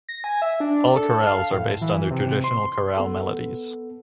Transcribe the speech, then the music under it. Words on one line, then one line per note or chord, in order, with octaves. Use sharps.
All Chorales are based on their traditional Chorale melodies.
A#6
G#5
E5
D4
A4
F5
A2
E3
C3
C6
B3 A4